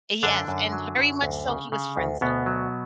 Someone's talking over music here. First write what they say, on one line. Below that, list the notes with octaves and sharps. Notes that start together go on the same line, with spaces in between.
Yes, and very much so he was friend zoned,
F#2 D3 D4
F#2
F#3
F#2
D2
C#3
C#3
D2
D2 B2 B3
F#3